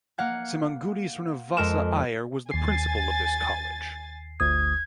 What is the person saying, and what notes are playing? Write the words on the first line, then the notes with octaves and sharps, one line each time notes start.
Semmangudi Srinivasa Iyer was the principal of this college.
A#3 F5 F#5 G#6
F2 G#3 A4 A#4 E7
D#2 G#5 A6 C7
G1 D2 D#6 G#6